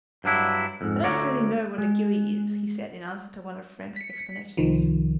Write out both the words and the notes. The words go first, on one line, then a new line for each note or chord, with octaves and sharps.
"I don't clearly know what a gillie is," he said, in answer to one of Frank's explanations.
G2 F#3 D4 E4
F2 G#2
D2 C#5 D5 A#5
G#3
B6 C#7
C2 D#3 F3